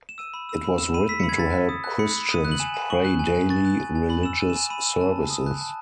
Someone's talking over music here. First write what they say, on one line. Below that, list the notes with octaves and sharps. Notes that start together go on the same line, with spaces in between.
It was written to help Christians pray daily religious services.
E7
E6 D#7
B5
E6
B5
E6 E7
B5 D#7
E6 B6
C#7
B5
G#6
B5 A6
B5
D#6
F#6
B5 C#7
B5
D#6 D#7
F#6
F#7
G#5 E7
G#5
C#6 F#7
F#6
G#5
G#5
C#6 A6
F#6
G#5
G#5
B5 F#7
E6 E7
G#5 D#7
E7
G#5
B5 D#7
E6
A5
A5
D#6
F#6
A5